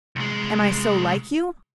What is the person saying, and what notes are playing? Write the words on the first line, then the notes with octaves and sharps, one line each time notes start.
"Am I so like you?"
C2 G#3